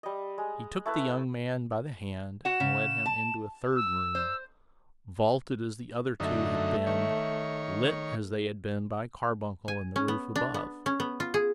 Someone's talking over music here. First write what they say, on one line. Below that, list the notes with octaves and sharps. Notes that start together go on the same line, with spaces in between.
He took the young man by the hand and led him into a third room--vaulted as the other two had been, lit as they had been by a carbuncle in the roof above.
G3 D#5
G#3
A3 E4 B4
F#4 F#5 E7
C#3
A5
E6
C5
F#2 D3 A3 D#4
D#3 C#5
G#5
C#4
B3
D4
B3
C#4
B3
F4
G#4